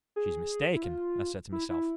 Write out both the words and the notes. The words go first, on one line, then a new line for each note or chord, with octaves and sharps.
'She's mistaken, I said to myself.
G#4
E4
F4
E4
E4